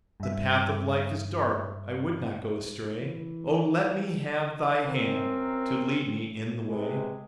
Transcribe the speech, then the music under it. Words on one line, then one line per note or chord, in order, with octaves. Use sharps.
"The path of life is dark, I would not go astray; Oh, let me have Thy hand To lead me in the way."
G2 E5
E3
F#2 C4 A#4
C3 G#3 B4